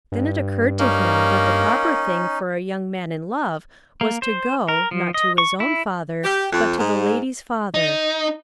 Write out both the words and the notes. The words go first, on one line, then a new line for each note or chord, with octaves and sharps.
Then it occurred to him that the proper thing for a young man in love was to go, not to his own father, but to the lady's father.
G2
A#3 C#4 D#4
A#3
C5
A#4
F3
D#5
C#6
E4
G4
F2
G#2
D#4